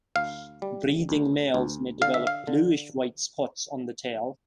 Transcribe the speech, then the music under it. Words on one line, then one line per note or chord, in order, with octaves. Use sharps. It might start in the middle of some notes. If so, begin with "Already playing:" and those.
Breeding males may develop bluish-white spots on the tail.
D2 F5
G3
D2
D2
D3 F5
E5
F5
D3